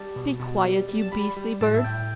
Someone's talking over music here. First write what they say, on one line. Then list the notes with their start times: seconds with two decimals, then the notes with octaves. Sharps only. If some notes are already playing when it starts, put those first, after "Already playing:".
"Be quiet, you beastly bird!"
Already playing: G3 A5
0.16 B2
0.40 B2
0.65 G3
0.89 G3
1.02 A5
1.12 G3 B5
1.37 G3
1.61 A2 A5
1.74 E5
1.84 A2 G5